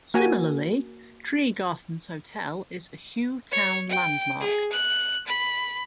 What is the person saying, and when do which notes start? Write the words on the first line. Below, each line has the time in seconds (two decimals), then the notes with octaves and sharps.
Similarly, Tregarthen's Hotel is a Hugh Town landmark.
0.14 A#3 F#4 G#5
3.51 C#5
3.89 G5
4.40 G#4
4.72 F#6
5.27 B5